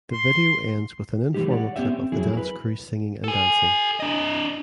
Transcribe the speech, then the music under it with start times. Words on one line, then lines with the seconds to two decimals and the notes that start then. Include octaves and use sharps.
The video ends with an informal clip of the dance crew singing and dancing.
0.12 C6
1.34 E3 F3 G#3 D#4 G4
1.49 C#5 D5 F#5
1.76 B3 C#4 G4 E5
1.88 C4
2.12 F2 F#3 E4 G#4
2.33 A#4 B4
3.24 A4 G#5
4.00 D4 D#5